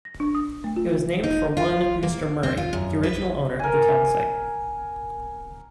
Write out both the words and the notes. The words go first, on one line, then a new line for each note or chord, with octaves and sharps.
It was named for one Mr. Murray, the original owner of the town site.
A#6
D4
D#6
A3
F4
D#4
F4
A#3
C4
F4
F#2
B4
A#4 G#5